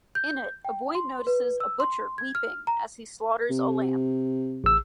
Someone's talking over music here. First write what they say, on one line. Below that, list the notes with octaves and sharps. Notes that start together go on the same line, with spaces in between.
In it a boy notices a butcher weeping as he slaughters a lamb.
G6
G5
C6
B4
E6
C6
G#6
F6
A#5
C3
A1 E6